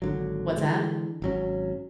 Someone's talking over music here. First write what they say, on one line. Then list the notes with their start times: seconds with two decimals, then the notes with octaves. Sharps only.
What's that?
0.02 G#1 D3 F#3
0.57 D3 E3 G#3
1.22 G#1 F#3 C#4